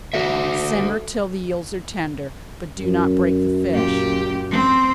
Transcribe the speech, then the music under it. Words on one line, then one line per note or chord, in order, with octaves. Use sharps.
Simmer till the eels are tender, but do not break the fish.
F#4 A4 E5
F#2
A#2 G4
C4 C5